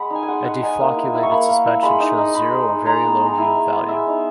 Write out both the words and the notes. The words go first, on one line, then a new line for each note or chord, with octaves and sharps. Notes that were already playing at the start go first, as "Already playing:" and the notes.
A deflocculated suspension shows zero or very low yield value.
Already playing: G#3 F#5 B5
D#4 G#5
G#5
G#3 F#5
G#3 F#5
D#4 G#5
A#3
E4
E4
C#6
A#3 B5
A#3
E4
G#3 B5
D#4
D#4
G#3 B5
G#3
D#4
G#3 A#5
B3
G#3
A#5
E4 G#5
G#3
B3
G#3 E5
D#4